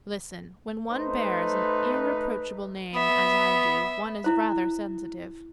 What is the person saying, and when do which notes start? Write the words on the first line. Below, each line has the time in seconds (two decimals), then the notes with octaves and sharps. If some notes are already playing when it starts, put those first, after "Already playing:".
"Listen--when one bears an irreproachable name, as I do, one is rather sensitive."
0.89 A3 D#4 B4 C5
2.95 B3 E5
4.24 E4 C5